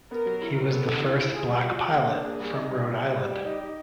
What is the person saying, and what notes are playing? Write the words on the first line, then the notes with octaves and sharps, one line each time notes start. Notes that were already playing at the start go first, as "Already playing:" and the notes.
He was the first black pilot from Rhode Island.
B3 A#4
F#3
E4
F#3
B3 A4
D3
E4
E4
F4 G#4
G3
F4 F#4
F4
A#3 G#4
D4
A#3
G3
D#4
G3
G3
G3
G3 G4
G3
D#4
D#4